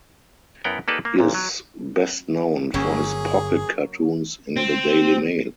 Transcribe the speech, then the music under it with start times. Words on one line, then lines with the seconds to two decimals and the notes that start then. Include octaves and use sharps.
He is best known for his pocket cartoons in the Daily Mail.
0.64 F#2 B3 E4 A#4 F#5 G5
0.88 A#3 D#4 G4 A4 B4 D5
1.05 A#3
1.19 A1 A#2
1.34 F#3
2.74 G1 F#3 A#3 C#4 G#4
4.56 C4